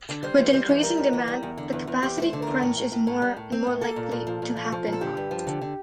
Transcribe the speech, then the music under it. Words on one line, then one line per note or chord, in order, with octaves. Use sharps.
With increasing demand, the capacity crunch is more and more likely to happen.
D3
G3 C5
E3
G3 C5
E3
G3 A#4
F2
E3
G3
E2
D3
E2
E2
E2 G4
A3 C5
D3
E2 A#4
A2
A2
A2
A2
G3
A2
C4
A2
A#3 A4
A#2
A#2
F3
A#2
F3
F3
A#2
A4
D3 G4
G2
F3
D3
D3